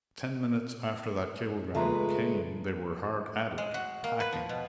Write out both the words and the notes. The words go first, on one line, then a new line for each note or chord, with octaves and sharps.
"Ten minutes after that cablegram came they were hard at it, packing."
C#2 G#3 A3 F4 B4 A#5
G#3
F#4
A#3
B4
F3
B2